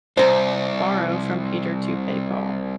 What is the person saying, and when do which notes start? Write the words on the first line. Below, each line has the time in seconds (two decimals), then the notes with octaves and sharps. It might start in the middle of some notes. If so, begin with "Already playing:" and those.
Borrow from Peter to pay Paul.
0.17 C2 C5 A#5